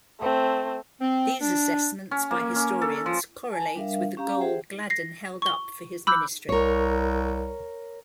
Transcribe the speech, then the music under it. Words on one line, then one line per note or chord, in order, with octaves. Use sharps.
These assessments by historians correlate with the goal Gladden held up for his ministry.
A3 C4
C4
D4
C#4
A#3
C#4
A4
F3
G#5 A5
G3 D4 A#4 E5 F5
C#4 G4 F5 A#5
G4 G#4 C5 E5 F#5 G5
A#6 C7
C#6 G7
B5 D6 E6 F#6 G6
C2 A#4 C#5